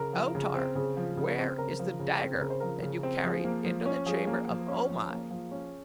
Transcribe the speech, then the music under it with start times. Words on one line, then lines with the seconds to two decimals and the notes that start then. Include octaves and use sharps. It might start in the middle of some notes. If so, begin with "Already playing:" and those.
O-Tar, where is the dagger that you carried into the chamber of O-Mai?
Already playing: C#3 A#4
0.13 F3
0.35 C#3
0.55 C4
0.75 C#3 G#4
0.97 F3
1.17 C#3
1.38 C4
1.58 C#3 A#4
1.79 F3
2.00 C#3
2.20 C4
2.41 C#3 A#4
2.50 C5
2.60 F3 A#4
2.82 C#3
3.03 C4
3.24 F3 G#4
3.45 A#3
3.65 F3
3.86 C#4
4.06 F3 G#4
4.27 A#3
4.47 F3
4.68 C#4
4.89 F3
5.10 A#3
5.31 F3
5.51 C#4